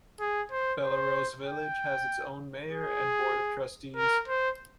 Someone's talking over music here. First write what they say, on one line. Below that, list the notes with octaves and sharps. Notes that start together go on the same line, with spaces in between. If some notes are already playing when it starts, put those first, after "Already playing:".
Bellerose Village has its own mayor and Board of trustees.
G#4
C5
C5
G5
G#4
A#4
C5